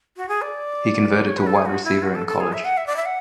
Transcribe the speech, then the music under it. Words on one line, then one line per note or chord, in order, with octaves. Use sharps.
He converted to wide receiver in college.
F#4
G#4
D5
C#5
B4
A4
G#4
F#4
E4
F#4
A4
A4
G#4
E5
F#5
E5
D5
E5
F#5